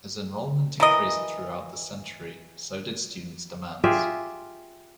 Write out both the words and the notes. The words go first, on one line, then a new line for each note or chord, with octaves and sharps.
As enrollment increased throughout the century, so did students' demands.
E3 A#4 D#5
F4 G4 G#4 E5